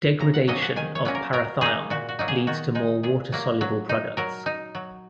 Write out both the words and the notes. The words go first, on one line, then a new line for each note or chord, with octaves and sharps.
Degradation of parathion leads to more water-soluble products.
C#3 A#5
F#5
F#3 A#3 C#4 D#5
F#5
D#3 G#5
C#5
F#3 A#3 C#4
A#4
F#3 A#4
A#3 D#4 G#4
A#2 F#4
F#4
F#3 A#3 D#4
G#4
D#3 F#4
G#3 D#4
A#2 G#4
F#3 A#3
F#3
D#4
F#3 A#4
D#4
F#3